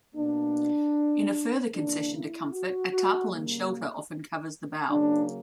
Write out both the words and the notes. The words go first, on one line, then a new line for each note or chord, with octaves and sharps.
In a further concession to comfort, a tarpaulin shelter often covers the bow.
B2 A#3 D4
C#3 E3 A#3 D4
E4
F#4
F#4
C#3 G3 A#3
C#3 F#3 A#3 D4